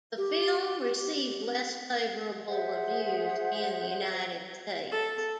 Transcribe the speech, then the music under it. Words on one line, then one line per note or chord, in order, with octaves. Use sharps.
The film received less favourable reviews in the United States.
G4
G#4 C5 E5 F#5
A4